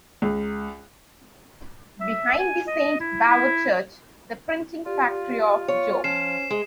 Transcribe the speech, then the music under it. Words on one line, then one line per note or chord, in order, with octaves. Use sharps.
Behind the Saint Bavochurch the printing factory of Joh.
C#2
E5
G#5
D#5
E4
E4
F4 G4 D5
B3 C#5 F5
F3 C#4 C5 C7 E7
G#3